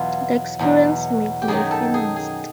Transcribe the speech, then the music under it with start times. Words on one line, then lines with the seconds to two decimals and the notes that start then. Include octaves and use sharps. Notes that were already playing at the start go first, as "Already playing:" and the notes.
The experience made me a feminist.
Already playing: E2 B2 F#3 F4
0.59 E2 B2 F#3
1.42 G4
1.48 F#2 D#3 F#3 G#4
1.71 A4
1.94 G#4
2.16 G#4